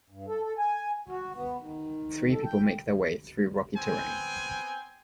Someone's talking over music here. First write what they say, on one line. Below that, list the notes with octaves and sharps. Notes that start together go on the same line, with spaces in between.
Three people make their way through rocky terrain.
G2
A4
A4
G#5
F#4
B3
D#3
A4
G5
B3 C4 G5 G#5